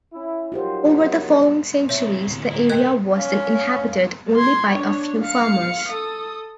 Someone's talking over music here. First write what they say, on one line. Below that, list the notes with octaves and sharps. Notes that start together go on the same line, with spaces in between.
Over the following centuries, the area was then inhabited only by a few farmers.
C#4 E4
F#3 D#4 F4 G4 A#4 C5
A2 C3 C#5 E5
D1
E4 A#4
B2 G4 A#4 D#5 G5 F#6 G#6
C#4 F5
C6 G#6
D4 C#5
F5 C#7
A4 D#6